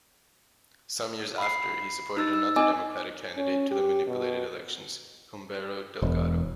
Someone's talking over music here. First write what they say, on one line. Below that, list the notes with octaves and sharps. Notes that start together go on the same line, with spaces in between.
Some years after he supported another democratic candidate to the manipulated elections, Humberto Delgado.
B5 C7
D#4 E6 A6
E6
C4 D#4 D#5 G#5 D6
C#4
G4
B2
E1